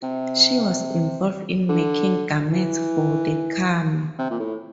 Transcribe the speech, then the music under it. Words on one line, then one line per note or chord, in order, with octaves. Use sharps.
She was involved in making garments for the kami.
C3
D3
E3
C3
A#2
A2